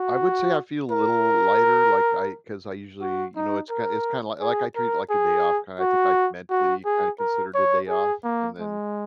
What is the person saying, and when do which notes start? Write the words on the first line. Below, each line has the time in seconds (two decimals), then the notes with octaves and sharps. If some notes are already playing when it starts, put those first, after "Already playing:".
I would say I feel a little lighter, like I 'cause I usually, y you know it's kind it's kinda li like, I treat it like a day off, kinda, I think I mentally kinda consider it a day off, and then
Already playing: F#4
0.91 A#4
3.01 F#4
3.36 D#4
3.70 A#4
4.40 G#4
4.76 A#4
5.10 G#4
5.79 F#4
6.50 F#4
6.85 G#4
7.19 A#4
7.54 C#5
7.89 G#4
8.24 A#3
8.59 G#3